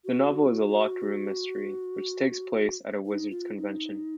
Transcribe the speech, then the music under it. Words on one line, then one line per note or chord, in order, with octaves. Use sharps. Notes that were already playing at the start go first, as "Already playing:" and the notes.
The novel is a locked room mystery, which takes place at a wizards' convention.
F#4
D#4
F4
D#4